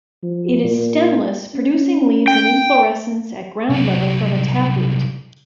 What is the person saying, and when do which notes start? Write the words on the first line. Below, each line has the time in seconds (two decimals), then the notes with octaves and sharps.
It is stemless, producing leaves and inflorescence at ground level from a taproot.
0.23 F3
0.64 A#2
1.54 C#4
2.28 G5
3.70 C2 F#3